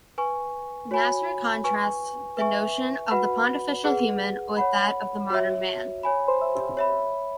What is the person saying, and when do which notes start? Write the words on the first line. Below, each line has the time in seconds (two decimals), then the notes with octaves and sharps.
Nasr contrasts the notion of the pontifical human with that of the modern man.
0.18 B4 G#5 C#6
0.91 F#4 C#5 G#5 B5
1.64 B4 G#5 C#6
2.37 B4 E5 G#5 C#6
3.11 F#4 B4 F#5 B5
3.84 G#4 B4 F#5
4.57 C#5 F#5 B5
5.30 F#4 C#5 E5
6.03 C#5 G#5 B5
6.77 C#5 E5 B5